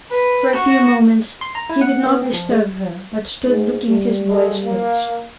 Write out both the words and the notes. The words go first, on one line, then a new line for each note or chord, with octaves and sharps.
For a few moments he did not disturb her, but stood looking at his boy's face.
B4
F#4
C6
A#5
E4
F#5
B3
C4
F3
G#3
G#2
G3
G#3 A#3 A4
A#3